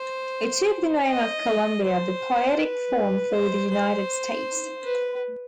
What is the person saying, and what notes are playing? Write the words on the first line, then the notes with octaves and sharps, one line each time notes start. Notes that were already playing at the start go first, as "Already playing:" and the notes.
It took the name of Columbia, the poetic form for the United States.
Already playing: C5
D#5
C5
B4
C5
C5
B4